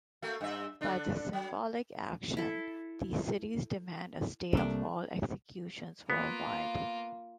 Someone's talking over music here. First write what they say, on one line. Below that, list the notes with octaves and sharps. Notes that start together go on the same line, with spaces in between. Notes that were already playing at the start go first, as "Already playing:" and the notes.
By this symbolic action, these cities demand a stay of all executions worldwide.
A3 A#3 F#4
G2 E5
D3 D4
F#3
E4 A4
C2 C3 A3 A#3 D4
A#3 B3 F4